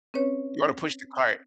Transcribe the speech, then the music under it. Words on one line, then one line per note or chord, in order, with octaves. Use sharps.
You oughta push the cart.
C4 C#4 B4 C#5